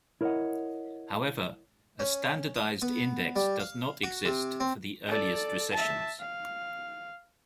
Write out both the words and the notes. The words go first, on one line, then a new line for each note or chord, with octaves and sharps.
However, a standardized index does not exist for the earliest recessions.
E4 A#4 C5 C#5 D#5 F#5
C#4
D#6
B3
G3
F5
F#4
C3
C4
A4 D5
E5 A5
F5